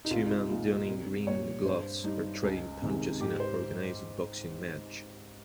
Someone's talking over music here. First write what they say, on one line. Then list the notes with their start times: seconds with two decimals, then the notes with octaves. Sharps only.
Two men donning green gloves are trading punches in an organized boxing match.
0.05 D#4
0.11 C2 F4
0.26 D#4
0.30 F4
0.49 A#2 G#3 F4
0.88 C2
1.27 A#2 G3 C#5
1.66 G2 C5
2.04 G3 D#4
2.43 C#2
2.82 C3 D#3 G#3
3.21 G#2 G4
3.40 C5